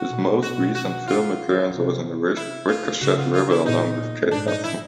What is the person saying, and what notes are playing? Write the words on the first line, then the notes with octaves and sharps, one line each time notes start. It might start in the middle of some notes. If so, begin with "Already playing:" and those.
His most recent film appearance was in "Ricochet River", along with Kate Hudson.
Already playing: F#4
B2
F#4
F#4
F4
C3
E4
F4
C#3 F#4
F4
F4
E4
A#2 D#4
A#2
G#2 D4
D#4
E4